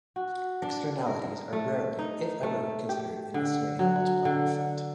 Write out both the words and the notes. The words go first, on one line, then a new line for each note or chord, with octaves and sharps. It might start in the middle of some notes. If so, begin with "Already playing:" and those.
Externalities are rarely if ever considered in estimating a multiplier effect.
F#4
D4
A#4
A3
D#4
A3
G4
D3
F#3
D3